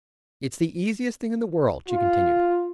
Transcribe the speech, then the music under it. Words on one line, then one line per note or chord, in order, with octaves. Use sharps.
"It's the easiest thing in the world," she continued.
F4